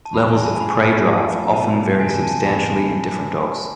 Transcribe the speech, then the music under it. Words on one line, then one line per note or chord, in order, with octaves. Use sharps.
Levels of prey drive often vary substantially in different dogs.
A5
E2 C3 F3 G#3 B5
G#5
A5
G#2 G#3 D4 F4 G#4 B5
F3 A3 E4 A5
B2 A3 C4 F4 A5
E2 C3 E3 G#3 B3 G#5
A5
E2 C3 G#3 B3 B5